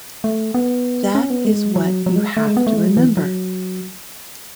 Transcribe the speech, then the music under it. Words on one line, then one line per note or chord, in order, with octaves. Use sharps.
That is what you have to remember.
A3
B3
C#4
B3
G#3
F#3
F#3
G#3
A3
G#3
B3
A3
G#3
F#3
E3
F#3